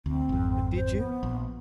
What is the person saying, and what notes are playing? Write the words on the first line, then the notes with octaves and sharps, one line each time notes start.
"But did you?"
D2 C4
G#1 F2
C5
B3
A#1